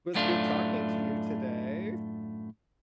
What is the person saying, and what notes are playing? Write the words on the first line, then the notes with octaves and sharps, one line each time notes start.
it was good talking to you today!
F#2 A2 A3 D4 F4